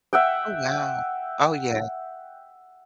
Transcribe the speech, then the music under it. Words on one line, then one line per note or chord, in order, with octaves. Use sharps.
Oh, wow. Oh, yeah.
E5 F#5 G5